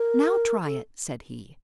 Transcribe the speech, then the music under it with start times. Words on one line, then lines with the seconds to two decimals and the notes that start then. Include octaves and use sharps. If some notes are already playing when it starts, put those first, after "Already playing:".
"Now try it," said he.
Already playing: A#4
0.65 A4